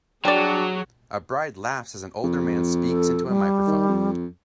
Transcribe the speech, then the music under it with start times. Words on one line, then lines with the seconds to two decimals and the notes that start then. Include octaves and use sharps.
A bride laughs as an older man speaks into a microphone.
0.25 F#3 G3 D4 F#4 G#4 D5
2.24 F2
2.88 A4
3.27 G3
3.67 D#3
3.89 F2